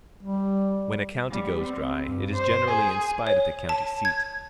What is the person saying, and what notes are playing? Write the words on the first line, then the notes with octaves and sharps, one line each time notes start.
When a county goes dry, it is generally in spite of the county-seat.
G3
G3
C4
G2
C5
G#4
C#5
A5
G#6